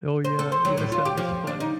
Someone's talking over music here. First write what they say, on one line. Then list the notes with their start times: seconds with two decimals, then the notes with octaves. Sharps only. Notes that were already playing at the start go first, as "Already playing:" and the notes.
Oh, yeah, yes, that was funny.
0.25 C5
0.39 A4
0.52 C5
0.65 F#3
0.77 A2
0.92 F4
1.05 G4
1.17 F3
1.47 D4
1.60 D#4